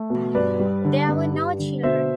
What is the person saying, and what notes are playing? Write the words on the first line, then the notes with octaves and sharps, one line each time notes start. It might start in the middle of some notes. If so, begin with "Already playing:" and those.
There were no children.
Already playing: A3
B2
G2 B4 D5
G3
D3
G2
G3
D3
B2 C5 E5